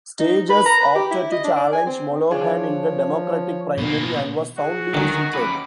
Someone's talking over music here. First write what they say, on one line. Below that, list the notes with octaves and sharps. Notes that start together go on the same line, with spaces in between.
Staggers opted to challenge Mollohan in the Democratic primary, and was soundly defeated.
D#4
B4
A#5
B4
G4
E4
D#5
D4
D5
G#5
C4
F3 D4 F4 G#4 C#5
B2 A#3
F#4 G#4
D3 D#3 F#3 G#5 A#5
D#2 C#4 B4 D6